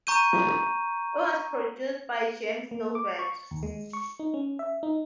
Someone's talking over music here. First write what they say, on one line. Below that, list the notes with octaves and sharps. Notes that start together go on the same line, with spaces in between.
It was produced by James Gilbert.
A#5 C#6 G6 D#7
A#3
D6
C#6
D#2
G#3
C#6
D#4
C#4
E5
D#4